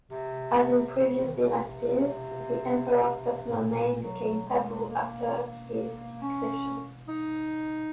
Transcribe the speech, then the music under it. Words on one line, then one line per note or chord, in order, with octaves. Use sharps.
As in previous dynasties, the emperor's personal name became taboo after his accession.
C3
C3
C3
C#3
D#3
C#3
C3
G#2
A#2
F#3
G#3
G#3
A#3
C4
A#3
C#4
D#4